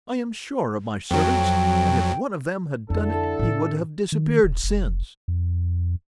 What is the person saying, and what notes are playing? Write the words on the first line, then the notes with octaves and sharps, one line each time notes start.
"I am sure of my servants ... and if one of them had done it, he would have disappeared since."
F2 F#3 G5
F2 D3 E4 A4
A2 C#4
D#3
D#1
F1
F2